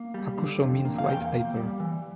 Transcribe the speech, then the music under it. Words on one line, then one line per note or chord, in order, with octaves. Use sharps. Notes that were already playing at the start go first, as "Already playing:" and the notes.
"Hakusho" means "white paper".
Already playing: A#3
G3
D3
F2
A#3
F5
E2 G5
A#3
G3
E3